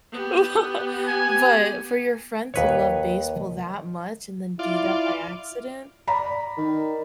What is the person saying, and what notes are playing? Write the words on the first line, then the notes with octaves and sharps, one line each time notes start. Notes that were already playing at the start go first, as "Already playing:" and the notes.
Well, but for your friend to love baseball that much and then do that by accident,
B3 G4
G#5
D#2 B4 C#5
E4 F4 D5
D5 A#5 B5
D#3